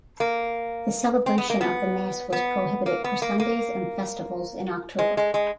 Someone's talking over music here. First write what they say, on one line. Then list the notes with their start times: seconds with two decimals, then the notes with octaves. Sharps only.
The celebration of the mass was prohibited for Sundays and festivals in October.
0.20 A#3
1.26 C4
1.38 B3
1.50 A#3
1.61 B3
2.32 B3
2.86 A#3
3.04 B3
3.22 A#3
3.40 A#3
4.99 G#3
5.17 G#3
5.34 G#3